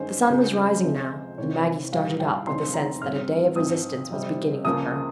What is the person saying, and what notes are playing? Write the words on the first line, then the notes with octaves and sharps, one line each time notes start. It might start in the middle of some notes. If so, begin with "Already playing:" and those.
The sun was rising now, and Maggie started up with the sense that a day of resistance was beginning for her.
Already playing: G2 D#3 G#3 C#4 C5
C#2 C#3 G#3 C4
F2 C3 F3 G#3
C2 C3 D#3 C#5
A#1 G#2 G3 F5
G5
F1 D#2 D#3 G#3 C4 C6
A#5
G#2 G3 C4 F6
G#1 G#2 F3 C4 D#6
F2 C3 G3 C4
C#2 C#3 F3 A#3 D#6